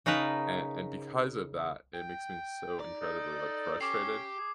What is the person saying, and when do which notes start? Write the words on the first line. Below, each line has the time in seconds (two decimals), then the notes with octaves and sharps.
and and because of that, it makes me so incredibly, like, frustrated,
0.06 C#3 D#4 A#4 B4 A5
1.94 G5
2.80 D#4 D5
3.01 D#4 A4
3.81 C#4 G4 D6 C7
4.37 G#4